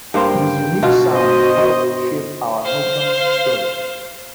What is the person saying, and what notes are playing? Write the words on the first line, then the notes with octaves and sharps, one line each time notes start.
His unique sound helped shape our Nation's story.
G2 A#3 C5 G5
B2 F4 F#4
C5 D#5
C5 F5